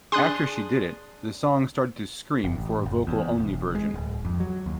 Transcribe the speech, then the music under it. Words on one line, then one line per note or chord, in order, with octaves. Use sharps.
After she did it, the song started to scream for a vocal only version.
D4 G#4 C6 D#6 F#6
F#1
A1
F#1
E2
E1
G#3
D1
F2
F#3
D#2